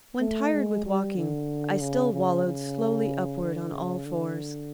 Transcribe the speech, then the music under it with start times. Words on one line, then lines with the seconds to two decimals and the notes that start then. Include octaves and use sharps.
When tired with walking I still wallowed slowly upward on all fours.
0.21 A3
0.53 G#3
0.86 G3
1.17 D3
1.81 C#3
2.13 C#3
2.46 C#3
3.42 D3
3.74 C#3
4.06 D3